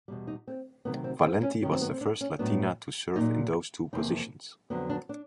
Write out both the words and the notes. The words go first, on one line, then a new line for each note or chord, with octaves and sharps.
Valenti was the first Latina to serve in those two positions.
E2 B2 G3
D#4
C4
D2 C3 D#3 F#3 B3
C4
C4
C#4
G2 D#3 F#3 C#4
C4
B3
C4
D4
C#4
A2 F#3 B3 D4
A#2 F#3 A#3 D#4
E2 C3 F3 A#3 D#4
F2 D3 F#3 B3
D4
D4